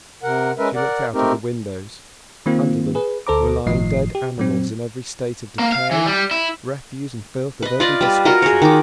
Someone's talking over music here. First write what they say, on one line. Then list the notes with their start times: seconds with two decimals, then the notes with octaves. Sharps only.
She looked out of the windows; under them were lying dead animals in every state of decay, refuse and filth of every description.
0.23 C3 A#4 F#5
0.58 G#3 C#4 A#4 B4 E5
0.75 A#4 D5 F#5
1.14 A3 C4 D#4 G4 A#4
2.46 D#3 A#3 C4 F4
2.95 G#4 B4
3.27 D2 A4 C5 A#5 D6
3.66 G1 A2 D#3 F3 D#5 C7
4.15 G4
4.38 A#2 F#3 C4
5.59 A#3
5.72 F5
5.91 E3
6.06 G3
6.31 E4
7.62 B4 D#5
7.80 F4 D5 D#5
8.01 G3 B4
8.25 F4 F#4 A#4 D#5
8.42 G#4 C#5
8.62 D#3 D6